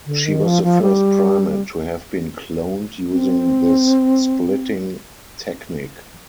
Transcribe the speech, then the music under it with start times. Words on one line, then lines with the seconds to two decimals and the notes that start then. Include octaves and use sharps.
She was the first primate to have been cloned using this "splitting" technique.
0.06 D3
0.25 D#3
0.44 F3
0.63 F3
0.82 G3
3.12 C4